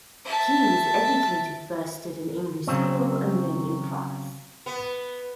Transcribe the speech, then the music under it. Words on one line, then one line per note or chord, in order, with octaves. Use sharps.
He was educated first at an English school and then in France.
E5 A5
C#3 F#3 C4
B3